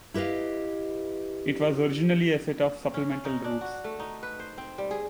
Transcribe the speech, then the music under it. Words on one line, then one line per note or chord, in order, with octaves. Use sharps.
It was originally a set of supplemental routes.
E4 G4 B4 D#5 F5
C#4
C#4
D#4
D4
F#4
A3
D#4
B4
C5
C4
G3
G#4